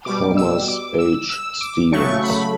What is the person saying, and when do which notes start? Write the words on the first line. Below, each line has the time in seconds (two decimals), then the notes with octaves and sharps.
Thomas H. Stevens.
0.05 B2 G3 D6
0.37 E6
0.68 D6
0.98 E6
1.30 E6
1.61 D6
1.91 C#3 F#3 A3 C#6
2.24 B5